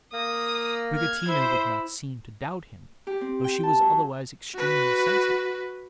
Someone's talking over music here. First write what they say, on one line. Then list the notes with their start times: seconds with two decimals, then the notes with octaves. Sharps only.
Abricotina would not seem to doubt him, though she was otherwise extremely sensible.
0.13 A#3 D#6
0.95 F6 G#6
1.28 E4 C5
3.07 G4
3.21 C4
3.44 G5
3.63 A5
3.81 F#3
4.55 F#4 B4